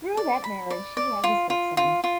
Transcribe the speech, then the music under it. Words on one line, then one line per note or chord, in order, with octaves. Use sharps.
Through that marriage, she has a stepson.
D5
B5
D5
D5
F4
F4
F4
F4